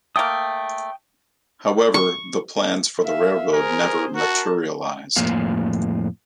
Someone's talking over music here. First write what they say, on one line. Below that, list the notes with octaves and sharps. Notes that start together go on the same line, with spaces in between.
However, the plans for the railroad never materialized.
A3 A#3 G5 D#6
C#6
E5 F5
G#4 A#4 C5
F#4 A#4 A5
F2 A2 A#3 F5